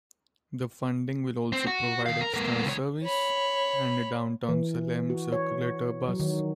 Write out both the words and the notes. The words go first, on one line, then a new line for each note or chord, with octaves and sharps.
The funding will also provide extra service, and a Downtown Salem circulator bus.
C4
F#4
D#3 F5
A#4
B3 A#4
C#2 C#5
C#5 B5
E3
F#4
C#5
F#3
D#3